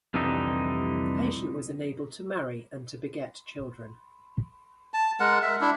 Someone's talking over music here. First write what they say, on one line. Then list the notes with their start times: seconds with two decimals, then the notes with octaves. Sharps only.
The patient was enabled to marry and to beget children.
0.14 C2 F2 D3 E3 G3 D#4
4.94 A5
5.20 G#3 A#4 F#5
5.43 A#4 E5
5.61 D4 E4